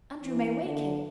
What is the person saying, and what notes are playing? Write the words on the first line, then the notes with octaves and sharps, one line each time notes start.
"Andrew may wake him."
E3
D3